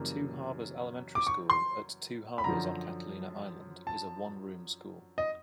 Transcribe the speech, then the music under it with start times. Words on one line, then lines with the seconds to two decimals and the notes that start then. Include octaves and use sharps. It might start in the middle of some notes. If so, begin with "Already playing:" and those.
Two Harbors Elementary School, at Two Harbors on Catalina Island, is a one-room school.
Already playing: F#2 C#3 E3 G3 A#3
1.15 D6
1.27 C#6
1.50 C6
2.38 B5
2.44 F#2 D3 F3 A#5
3.87 A5
5.18 D#5